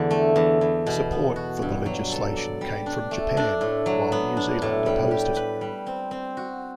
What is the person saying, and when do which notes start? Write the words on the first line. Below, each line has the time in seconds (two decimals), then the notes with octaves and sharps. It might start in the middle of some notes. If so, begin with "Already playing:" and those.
Support for the legislation came from Japan, while New Zealand opposed it.
Already playing: E2 D3
0.11 A3
0.36 E2
0.61 E2
0.87 B2
1.12 B3
1.36 F#4
1.62 G2
1.86 F#3
2.12 A4
2.36 D5
2.61 G3
2.86 D4
3.11 A3
3.37 D4
3.61 A2
3.86 F#3
4.12 B3
4.37 D4
4.62 A2
4.86 G3
5.11 G4
5.36 B4
5.61 G3
5.87 C4
6.11 C4
6.37 F#4